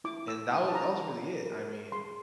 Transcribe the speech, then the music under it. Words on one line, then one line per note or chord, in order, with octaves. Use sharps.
and that wa that was really it, I mean
E4 D6
E6
E4 D#6
A5
A#5
A#4
A#4
G#4 C6